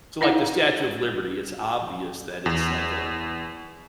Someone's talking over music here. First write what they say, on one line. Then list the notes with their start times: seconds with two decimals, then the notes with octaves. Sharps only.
So, like, the Statue of Liberty, it's obvious that it's like a,
0.21 D#4 E4 F5 F#5
2.46 E2